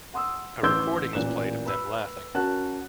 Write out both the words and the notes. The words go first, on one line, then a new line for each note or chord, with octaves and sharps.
A recording was played of them laughing.
F#5 C6 D#6 E6
A1 C6 D6 E6 G6
A1 A#2 A#4 F#6 E7
B4 B5 E6
C#4 F#4 A#4 A5 F#6